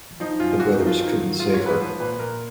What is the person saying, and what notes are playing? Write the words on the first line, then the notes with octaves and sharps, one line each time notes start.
The brothers couldn't save her.
F3 D#4
F#2 F4
F#2 F#4
D#4
F3
F4
D#3
F#3
G#2 F4
C#5
G#2
B4
F3 B4
A#2 B4
A#2 A#4